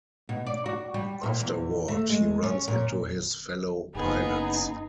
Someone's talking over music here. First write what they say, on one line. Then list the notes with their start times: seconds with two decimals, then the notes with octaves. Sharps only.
Afterward, he runs into his fellow pilots.
0.29 B2
0.47 D5
0.66 F#4
0.94 G3
1.23 A#2
1.41 E2
1.88 A3
2.10 G#3
2.43 C#4
2.68 A#2
3.95 F#1 B3 D#4 G#4